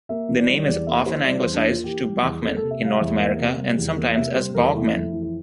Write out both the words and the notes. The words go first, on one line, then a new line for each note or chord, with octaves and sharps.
The name is often anglicized to "Bachman" in North America, and sometimes as "Baughman".
A#3 E5
E3
D5
G3
E2 D5
A#3 E5
E3 C5
G3 D5
E2 C5
D4
A#3 F4
E3 G4
G3
E2
A#3 A4
C3 A4
E5
G3 F5
E2 E5
A#3
C3
G3
E2
A#3
C3 E5
G3 C5
E2 A#4
A3 E4
F2
E3
E4